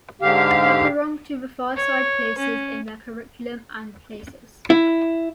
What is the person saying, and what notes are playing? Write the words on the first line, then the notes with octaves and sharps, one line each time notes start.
Tacurong to the far side places in their curriculums and places.
G#2 D3 G4 F5
C#5
C#4
E4